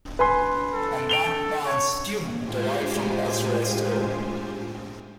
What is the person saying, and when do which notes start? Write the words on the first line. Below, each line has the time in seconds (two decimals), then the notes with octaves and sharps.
And that band's tunes derive from elsewhere still.
0.19 B4 G#5 C6
0.74 A4
1.09 D7 F7 G7
1.66 C#5
2.40 A2 G#3 F4 G4 C5 G#5